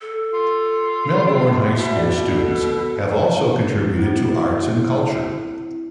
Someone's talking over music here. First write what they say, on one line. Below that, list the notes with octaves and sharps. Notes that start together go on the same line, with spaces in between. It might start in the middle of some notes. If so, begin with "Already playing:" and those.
Melbourne High School students have also contributed to arts and culture.
A4
F4
B2 E5
D5
A4
C4 E4